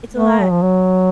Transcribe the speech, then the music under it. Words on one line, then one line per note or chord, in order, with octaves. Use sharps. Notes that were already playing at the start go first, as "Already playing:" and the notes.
it's a lot
A3
F#3
F3
F#3